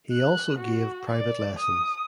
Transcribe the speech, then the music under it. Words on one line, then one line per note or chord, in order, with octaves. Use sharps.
He also gave private lessons.
F#6
F#4
D5
D#6